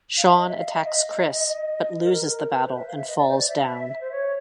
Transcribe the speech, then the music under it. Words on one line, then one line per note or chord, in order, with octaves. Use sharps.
Sean attacks Chris, but loses the battle, and falls down.
F5
E5
D#5
E5
F5
D#5
E5
D#5
D#5
B4
A#4
A#4
A#4
A#4
B4
C5
E5
F5
E5
D#5
D5
C5
D5
E5
E5
C5
C#5